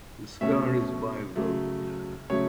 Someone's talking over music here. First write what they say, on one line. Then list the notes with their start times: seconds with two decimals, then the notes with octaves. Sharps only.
The scar is bilobed.
0.41 B2 A3 C#4 E5
1.36 C#3 F#3 A3
2.30 C#3 F#3 A3 C#5